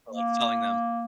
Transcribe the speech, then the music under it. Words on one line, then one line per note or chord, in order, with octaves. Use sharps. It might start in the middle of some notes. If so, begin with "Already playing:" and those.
or, like, selling them?
A#3